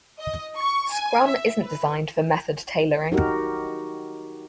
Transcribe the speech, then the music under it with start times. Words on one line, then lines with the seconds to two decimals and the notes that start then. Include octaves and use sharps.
Scrum isn't designed for method tailoring.
0.19 D#5
0.56 C#6
0.91 G#5
1.26 E5
1.63 B4
3.12 D#4 F#4 G4 A#4